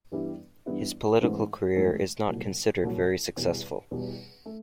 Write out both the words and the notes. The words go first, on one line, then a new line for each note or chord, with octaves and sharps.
His political career is not considered very successful.
G2 E3 G3 B3 E4
G2 E3 G3 B3 E4
G#2 E3 A3 C4
G#2 E3 A3 C4
C2 A#2 F#3
C2 A#2 F#3
E2 B2 G3
E2 B2 G3
A3